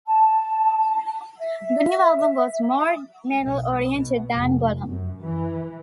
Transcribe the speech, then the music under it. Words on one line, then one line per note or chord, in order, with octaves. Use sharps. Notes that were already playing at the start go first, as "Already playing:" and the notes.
The new album was more metal oriented than "Golem".
A5
E5
B1
B2
F1
F#2
E3